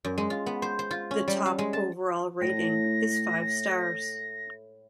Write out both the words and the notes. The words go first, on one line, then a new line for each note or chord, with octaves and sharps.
The top overall rating is five stars.
F#2
G#3
F4
B3
C5
C5
F4
C#4
G3
F5
G#3
A5
A2 A#6